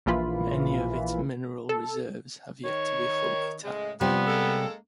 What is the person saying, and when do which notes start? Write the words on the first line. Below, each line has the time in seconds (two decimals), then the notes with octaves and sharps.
Many of its mineral reserves have yet to be fully tapped.
0.06 A#1 A#2 E3 F4 B5
1.69 A4
2.65 D#3 C#5
3.64 A2 C#3 G#3
4.01 C3 F3 G3 B3
4.27 G#3 A#3 A4